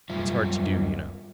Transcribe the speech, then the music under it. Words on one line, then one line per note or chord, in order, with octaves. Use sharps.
It's hard to do, you know.
F#2 G3 F4 E5